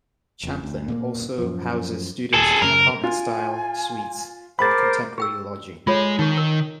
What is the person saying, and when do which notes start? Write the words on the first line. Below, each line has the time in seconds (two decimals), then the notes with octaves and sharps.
Champlain also houses students in apartment-style suites and contemporary lodging.
0.43 F1 F2
0.64 D2
0.88 A#2 G#3 A#3
1.38 F#2 F3
2.34 D#1 G#4 A4
2.62 F#2 C#3 A#4
3.03 F4 G#5
4.59 G#4 A#4 C5 B5 D6 A6
5.18 G#4 G5 E6
5.87 G#3 F4 A4 C#5
6.19 D#3 D#4 G#4
6.37 A#4